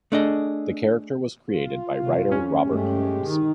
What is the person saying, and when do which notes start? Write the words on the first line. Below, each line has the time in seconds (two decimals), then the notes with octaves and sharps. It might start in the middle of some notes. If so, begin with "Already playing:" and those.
The character was created by writer Robert Holmes.
0.12 A3 D4 G#4 D#5
1.50 F4
2.01 C3 F#3
2.31 F2 C#4
2.66 G2 G#3 A3 G4
3.23 D#3 D#4